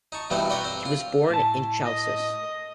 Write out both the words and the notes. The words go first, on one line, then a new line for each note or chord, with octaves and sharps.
He was born in Chalcis.
D#4 A5 C#6
G2 B2 E3 G3 A3 C4
B4 D5 G5 A#5 C#6
C4
F4
A2 A5
D#5